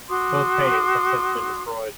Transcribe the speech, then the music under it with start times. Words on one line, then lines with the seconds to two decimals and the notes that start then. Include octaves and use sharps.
Both paintings have since been destroyed.
0.09 F#4 C6 D6 D#6